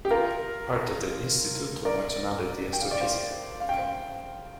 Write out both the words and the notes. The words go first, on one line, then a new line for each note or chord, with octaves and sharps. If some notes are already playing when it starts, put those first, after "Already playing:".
Part of the Istituto Nazionale di Astrofisica.
G4
F4 A#4
A#4 D5
G5
F5
D5
C5 F5
F5
G5
C5 F5